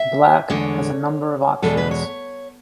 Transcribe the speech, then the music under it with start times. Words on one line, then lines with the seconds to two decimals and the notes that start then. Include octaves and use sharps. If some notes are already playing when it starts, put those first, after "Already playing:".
Black has a number of options.
Already playing: E5
0.50 E2 D3 G#3 C#5
1.62 E2 B2 G#3 A4
1.77 B4
1.91 C#5